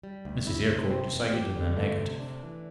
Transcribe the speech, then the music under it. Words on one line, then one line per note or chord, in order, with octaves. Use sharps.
Mrs. Eyrecourt decided in the negative.
G3
D2
E4
C3
C4
E2
G4
D3
A3
C3
D4
E3